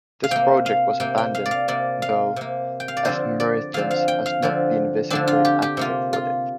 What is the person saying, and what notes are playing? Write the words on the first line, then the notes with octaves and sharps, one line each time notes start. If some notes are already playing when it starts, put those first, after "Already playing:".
This project was abandoned, though, as Mertens has not been visibly active with it.
F5
C3 A#3 G5
F5
C3 A#3 G5
G5
F5
D5
F5
C3 A#3 D5
F5
C3 A#3
G5
F5
D5
D3 F3 C4 C5
D5
D3 F3 C4 F5
F5
G5
F5
D3 F3 C4
D3 F3 C4 D4
F4
G4
G4
C3 A#3 F4
F4